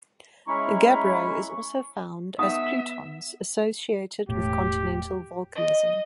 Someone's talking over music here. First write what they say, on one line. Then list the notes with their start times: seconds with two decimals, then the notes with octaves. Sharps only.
Gabbro is also found as plutons associated with continental volcanism.
0.48 G#3 C#4 E4 E5 A#5 B5 C#6
2.39 B3 D#4 E5 F#5 A5 D#6
4.29 E1 A2 G4
5.55 D#5